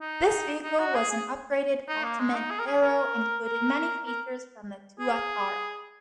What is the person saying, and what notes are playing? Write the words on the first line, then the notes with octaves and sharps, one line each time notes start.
This vehicle was an upgraded Ultimate Aero and included many features from the Tuatara.
D#4
D#4
F#4
G#4
G#4
D#4
A#3
G#3
D#4
G#4
A#4
G#4
A#4
A#4
A#4
G#4